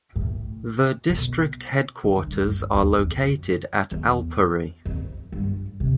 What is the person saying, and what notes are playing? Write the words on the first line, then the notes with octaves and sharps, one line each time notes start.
The district headquarters are located at Alpuri.
A2
B2
D3
G2
G2
F2
E2
F2
E2
F2
G2
C3